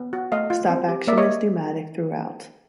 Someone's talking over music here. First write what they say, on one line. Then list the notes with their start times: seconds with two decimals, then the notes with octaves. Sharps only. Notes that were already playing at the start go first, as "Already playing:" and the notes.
Stopaction is pneumatic throughout.
Already playing: B3
0.13 F#4
0.32 A3 D#5 F5
0.50 F4
0.70 C4
0.88 G4
1.07 A#3 D5 E5
1.18 C#5 D#5